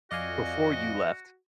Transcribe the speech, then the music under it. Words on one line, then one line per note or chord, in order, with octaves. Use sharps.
Before you left,
F2 F#4 D5 D#5 F5 G#5